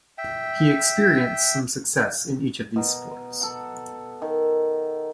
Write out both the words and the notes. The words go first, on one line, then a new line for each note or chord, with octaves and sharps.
He experienced some success in each of these sports.
E5 G5
B2 A#5
A4 F#5
D#3